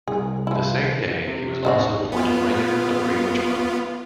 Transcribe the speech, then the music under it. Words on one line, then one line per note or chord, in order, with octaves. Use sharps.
The same day he was also appointed Ranger of Greenwich Park.
C2 G#4
F3 E4
C3
A1 E2 D#4 F#4 C5 D5
B3 F4